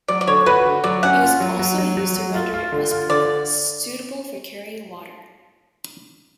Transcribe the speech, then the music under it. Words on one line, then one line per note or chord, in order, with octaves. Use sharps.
It was also used to render it rustproof, suitable for carrying water.
F#3 D5
D5
D3 C#5
F#4 B4
D3
F#3 D5
C#4 F#5
F4
F#3
F#3
F#3
F#3
F#3
F4
F4
D3
F4
D3 D5